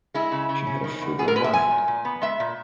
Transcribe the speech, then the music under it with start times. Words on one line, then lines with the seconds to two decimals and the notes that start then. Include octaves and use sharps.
She had a frugal mind.
0.14 G#3 E4
0.32 C#3
0.49 C#3
0.67 C#4
0.84 D#3
1.01 E2
1.19 B3 G#4
1.28 A#4
1.35 G#3 B4
1.44 E5
1.53 F#3 G#5
1.71 A#2
1.88 A#2
2.05 B3
2.22 G#3 E5
2.40 A#2